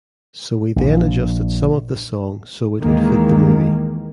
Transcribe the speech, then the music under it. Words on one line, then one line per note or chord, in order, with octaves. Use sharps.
So we then adjusted some of the song so it would fit the movie.
A#1
D#2 D#3 E3 G#3 A#3